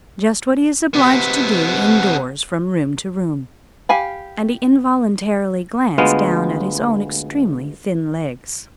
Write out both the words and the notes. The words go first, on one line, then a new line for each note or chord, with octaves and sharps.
"Just what he is obliged to do indoors from room to room." And he involuntarily glanced down at his own extremely thin legs.
C3 B3
G4 F5 G#5 B5
D2 G#3 B3 F4